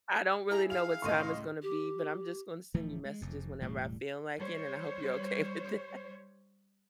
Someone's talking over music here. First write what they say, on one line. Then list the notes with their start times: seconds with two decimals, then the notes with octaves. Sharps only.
I don't really know what time it's gonna be, but I'm just gonna send you messages whenever I feel like it, and I hope you're okay with that.
0.51 E4 G#4 A#5
0.70 F5 F7
1.02 C#2 A2 D#5 C6 C#6 D#7
1.63 G4
2.74 D1 E3 F3 A3
3.05 G#3
3.21 F1 F2
3.61 E1 A2 G3
4.38 G3 C5 C#5